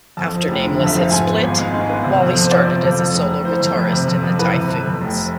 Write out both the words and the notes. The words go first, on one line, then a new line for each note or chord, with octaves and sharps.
After Nameless had split, Walli started as a solo guitarist in The Typhoons.
F2 A5
F3
F1
D3
F2
E5
F3 F5
G#2 G#5
B3
G#1
G#3 F5
G#2
B3
C3
F2
F2
C5
F3 D5
C3
F2
F2
F1
F1
E3 C5
F2
F1
C3
F2
F2
E3 B4
C3
F2
F2
F1